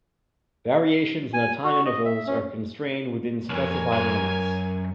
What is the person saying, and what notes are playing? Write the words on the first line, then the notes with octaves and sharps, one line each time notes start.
Variations in the time intervals are constrained within specified limits.
G#5
F#4
D#5
E5
C#4
B1 F2 A#4 C#5 G#5
F#2